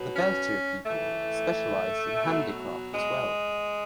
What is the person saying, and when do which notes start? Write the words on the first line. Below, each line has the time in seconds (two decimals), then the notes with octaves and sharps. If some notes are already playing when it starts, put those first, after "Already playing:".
The Beltir people specialized in handicraft as well.
Already playing: B2 F#3
0.15 C#4
0.85 A2 E3 A3
2.24 B2 F#3
2.93 G#3